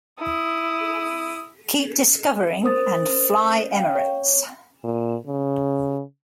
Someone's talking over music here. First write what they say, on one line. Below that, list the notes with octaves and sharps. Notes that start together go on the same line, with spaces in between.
Keep Discovering" and "Fly Emirates.
E4 D#6
A#4 C5 D#6 A6
F5 G5
C#5
A#2
C#3